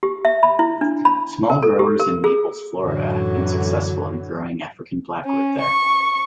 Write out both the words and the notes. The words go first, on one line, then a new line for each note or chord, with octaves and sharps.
Small growers in Naples, Florida have been successful in growing African blackwood there.
G4
E5
B5
E4
D4
B5
A#4
A4
G4
A#4
G#4
F#2 A2 D3 E3 F#3
C#4
C#6